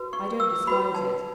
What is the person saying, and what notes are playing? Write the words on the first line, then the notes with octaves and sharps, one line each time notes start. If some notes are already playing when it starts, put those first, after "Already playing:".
I don't disguise it.
Already playing: F#4 B4
C#6
E6
F#4 B4 B5
A5